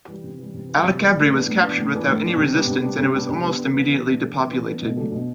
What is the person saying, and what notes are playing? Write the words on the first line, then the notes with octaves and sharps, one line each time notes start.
Al-Kabri was captured without any resistance and it was almost immediately depopulated.
E3 G3
C3
E3 G3
C3
E3
G3
C3
E3 G3
A2
E3 B3 D4
A2
E3 B3 D4
A2
E3 B3 D4
A2
E3 B3 D4
C3
G3 B3 D4
C3
G3 B3 D4
C3
G3 B3 D4
C3
G3 B3 D4
E3
B3
D4
E3
B3 D4
E3
B3 D4
E3
B3 D4
B2
F#3 A3 D4 A4
B2